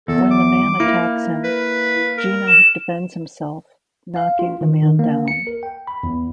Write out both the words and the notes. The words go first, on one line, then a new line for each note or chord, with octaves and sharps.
When the man attacks him, Gino defends himself, knocking the man down.
E2 A4
D6
A#3 E4
B4
A#4
E7
F5
F4
D#3
D#3
A#3
C#7
A#4
G5
B5
E2